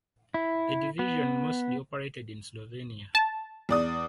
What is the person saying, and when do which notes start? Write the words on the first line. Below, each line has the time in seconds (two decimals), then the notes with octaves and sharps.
The division mostly operated in Slovenia.
0.34 E4
0.99 B3
3.15 A5
3.69 E2 D5 D#6